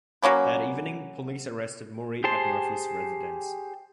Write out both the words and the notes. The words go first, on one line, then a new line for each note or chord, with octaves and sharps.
That evening, police arrested Moore at Murphy's residence.
F#3 A#3 C#4 B4
G4 G#4 C5 A5 C6